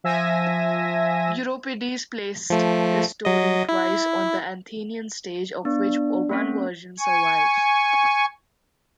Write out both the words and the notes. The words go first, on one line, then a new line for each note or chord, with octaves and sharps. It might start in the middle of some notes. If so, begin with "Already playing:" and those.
Euripides placed this story twice on the Athenian stage, of which one version survives.
F3 E5 G#5 A#6 D#7
F3 A3
F#3 D#5
E4
B3 D4
A#3 C4 C#4
G#5 C#6